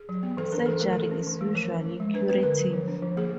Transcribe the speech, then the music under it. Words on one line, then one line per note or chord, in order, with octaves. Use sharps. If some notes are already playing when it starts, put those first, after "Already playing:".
Surgery is usually curative.
Already playing: G#4
F#3
B3
E3 A4
D4 A#4
E3 A4
A3 A#4
E3 A4
C#4
E3
A3
F3 A#4
C#4
F3
G#3
D4 B4
B3 B4
D3 A#4
F#3
F3
D4
F3
A#3 G#4